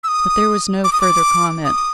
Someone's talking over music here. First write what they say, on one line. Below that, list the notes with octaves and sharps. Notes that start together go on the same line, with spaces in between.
But there was no further comment.
E6
D#6
D6
D#6
D6
D#6